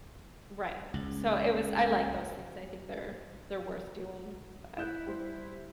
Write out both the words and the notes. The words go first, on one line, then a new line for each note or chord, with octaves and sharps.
Right. So, it was I like those things. I think they're they're worth doing. But
C#2
E4 F#6 G6 E7
G3 C5